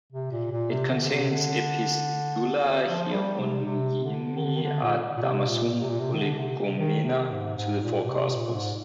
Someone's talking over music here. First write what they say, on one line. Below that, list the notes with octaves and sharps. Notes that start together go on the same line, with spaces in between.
It contains Epistula Hieronymi ad Damasum, Prolegomena to the four Gospels.
C3
A#2
A#2
C3
D3
D3
C3
D3
F3
G3
C3
C3
D3
D#3
D3
D#3
D3
A#2
A#2
C3
A#2
A#2
C3
A#2
C3
D#3
D3
C3
C3
D#3
C3
G#2
G#2
A#2
A#2
C3
A#2
G#2